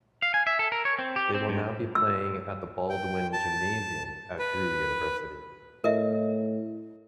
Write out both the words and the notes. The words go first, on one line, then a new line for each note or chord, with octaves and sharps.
They will now be playing at the Baldwin Gymnasium at Drew University.
F5
G#5
E5
A4
A#4
C#5
C4
G4
C4
G2
E6
G5
A5
B4
A2 A#4 D#5 E5